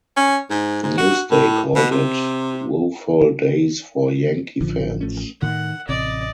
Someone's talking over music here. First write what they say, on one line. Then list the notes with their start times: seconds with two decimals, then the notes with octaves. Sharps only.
"Newsday" called it "woeful days for Yankee fans".
0.16 C#4
0.50 G#2
0.83 G#2
0.97 F#4
1.31 A2
1.75 B2
1.91 C3
4.60 A1 D3 F3
5.00 A3 C#4
5.42 A2 D#3 F#5
5.88 A1 C3 D5 D#5